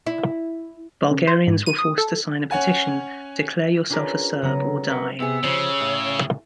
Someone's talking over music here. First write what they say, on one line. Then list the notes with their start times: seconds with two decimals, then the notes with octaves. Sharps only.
Bulgarians were forced to sign a petition Declare yourself a Serb or die.
0.06 E4
1.11 C#3
1.27 C5
1.47 G#2
1.66 D#7
1.78 D#6
1.98 A4
2.51 C#4 C#5 F#5 G#5
3.90 C#4 D4 F4 G#4 A#4 B4
4.42 C#3 F#3 B3 A#5
4.89 A#4 B4 E5 F#5 C#6
5.20 C3 B3 G#4 E6
5.44 C#3 F3 C#5
5.81 A2